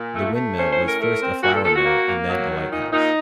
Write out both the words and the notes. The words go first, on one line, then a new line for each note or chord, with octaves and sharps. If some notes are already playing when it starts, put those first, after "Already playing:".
The windmill was first a flour mill, and then a lighthouse.
Already playing: A#2
A3
A3
C#4 C5
C5
A2
A#4
A3 A#4
C4
A#2 F#4
A4
A#2 A4
F#4
A#3
A#3
F#3
D#3
A#2 D#4
A#2 D#4